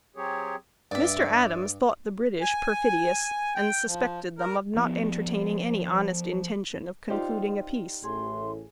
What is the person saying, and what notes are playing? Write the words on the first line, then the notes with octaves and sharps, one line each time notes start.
Mr. Adams thought the British perfidious, and suspected them of not entertaining any honest intention of concluding a peace.
F#3 C4 G4 G#4 C#5
G2 D5 E5
G#5
G5
F3
A#4
F3 B3
D#4 F4 G4 C5 D5
A1 A2 G#4 C6